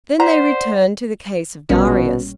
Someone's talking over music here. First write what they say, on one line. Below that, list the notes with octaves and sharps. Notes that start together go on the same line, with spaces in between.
Then they returned to the case of Darius.
C5 D5 F#5 A#5 B6
A#1 B2 G3 C#4